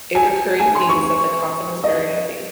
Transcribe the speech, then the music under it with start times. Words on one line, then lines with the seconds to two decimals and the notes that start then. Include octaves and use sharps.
A recurring theme is that the coffin was very heavy.
0.15 G#5
0.60 G#5
0.75 C6
0.89 C#6
1.84 D#5